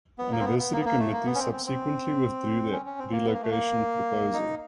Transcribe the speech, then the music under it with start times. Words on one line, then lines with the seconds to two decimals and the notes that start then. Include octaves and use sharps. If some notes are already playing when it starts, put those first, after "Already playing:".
The anniversary committee subsequently withdrew their relocation proposal.
0.18 B3
0.32 A#3
0.40 C4
0.45 B3
0.59 B3
0.73 A#3
0.80 B3
0.85 A#3
0.99 A3
1.13 A#3
1.26 B3
1.35 C#4
1.38 C4
1.53 C4
1.66 C4
2.72 C#4
2.86 C#4
2.99 C4
3.12 A#3
3.26 B3
3.34 A#3
3.42 A3
3.50 A#3
4.33 D#4